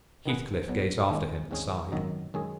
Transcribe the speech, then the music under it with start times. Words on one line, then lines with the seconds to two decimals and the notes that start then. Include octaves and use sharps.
Heathcliff gazed after him, and sighed.
0.26 D#3 B3 G#4 B4
0.68 B1 B2 F#3 B3
1.10 D#2 D#3 G#3 C#4
1.51 G#1 G#2 G#3 C#4 G#4
1.92 G#1 F#2 D#3 F#3 D#4
2.34 F#2 D#3 G#3 C#4 G#4